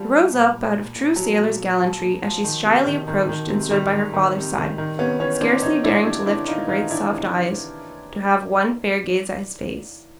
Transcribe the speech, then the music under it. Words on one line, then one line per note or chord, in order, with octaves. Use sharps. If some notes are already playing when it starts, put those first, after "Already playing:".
He rose up out of true sailor's gallantry, as she shyly approached and stood by her father's side, scarcely daring to lift her great soft eyes, to have one fair gaze at his face.
Already playing: F3 G3
F3
A#2
A#2
A#2
A#2
F3 F#3
A#2
A#2
F3
A#2
F3
D#3
C3
D#3
D#3
D#3
C3
D#3 G3
D#3
D#3
C3
D#3
D#3
C3 B3 C#4
E3 B3 C#4
E3 C4 D4
E3 C#4 D#4
C3 D4 E4
C3 D4 E4
C3 D4 E4
E3 D#4 F4
E3 D#4 F4
E3 D4 E4
C3
C3